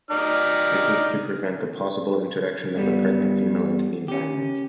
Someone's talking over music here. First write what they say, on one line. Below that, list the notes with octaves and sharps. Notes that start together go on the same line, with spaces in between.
This is to prevent the possible introduction of a pregnant female into the environment.
D#4 D5 F6
G2 G3 B3
C#4 G4